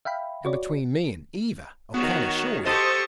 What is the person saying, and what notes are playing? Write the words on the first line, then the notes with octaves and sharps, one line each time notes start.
"And between me and Eva, I can assure you."
E5 F5 G5 B5
F#4 C#5 D5
D#3 B3 F#4 C#5
G4 A4 C5 D#5 A5 C6 C#6 D#6